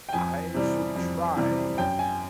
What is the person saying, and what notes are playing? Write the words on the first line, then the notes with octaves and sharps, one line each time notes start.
I should try
G5
F2 G#5
C3 E3 G3
F2
C3 E3 G3
F#2 G5
G#5